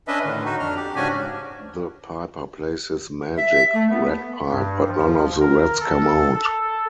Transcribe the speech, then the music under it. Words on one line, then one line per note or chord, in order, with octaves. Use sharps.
The piper plays his "magic" rat pipe but none of the rats come out.
C#4 D4 B4 D#5 E5
A2 D3 D#3
D#4 F#4
F2 D4 F6
G4
G#2 C#3 C#4 D4 F#4 G#5
E5
A3
B3
G2
F3
A#4
A4
A4